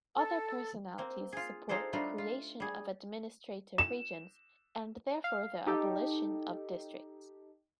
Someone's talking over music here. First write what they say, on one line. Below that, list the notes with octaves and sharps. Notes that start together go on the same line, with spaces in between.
Other personalities support the creation of administrative regions and therefore the abolition of districts.
A4
A#3 C4
F4 G#4
D#4 F4 G#4 A4 C5 D5
G3 A3 D4 D#4 F4
F4
G3 G#4
E7
F5
D#4 G4 A4